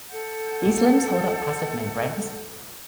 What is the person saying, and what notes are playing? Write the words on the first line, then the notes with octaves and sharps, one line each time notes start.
These limbs hold up passive membranes.
A4 F#5 G6